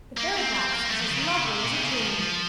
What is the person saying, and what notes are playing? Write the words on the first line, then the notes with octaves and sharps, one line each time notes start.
The fairy glass is as lovely as a dream.
A#3
C4
C4
A#3
A3
F3
C#3
D#3
C#3
C3
A#2
C3
C#3
D#3
F3
F3